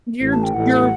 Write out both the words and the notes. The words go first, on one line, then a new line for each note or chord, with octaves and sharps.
you're you're
A1 A2
A5
G5
A1 A2 F#5